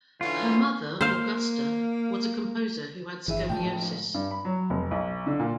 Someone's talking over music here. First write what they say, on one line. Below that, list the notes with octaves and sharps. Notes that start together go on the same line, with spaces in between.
Her mother, Augusta, was a composer who had scoliosis.
D3 E3 C#4 F4
A#3 C5 F5
G1 E3 G#4 E5
A2 F3 G#3 G5 A5
G2
B5
F#3
F1
B1
D3
A#2